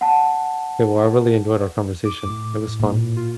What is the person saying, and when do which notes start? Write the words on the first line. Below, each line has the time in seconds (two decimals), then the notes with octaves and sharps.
Yeah, well, I really enjoyed our conversation, it was fun.
0.01 F#5 A5
2.05 D6
2.29 A2
2.80 A#2
3.17 F4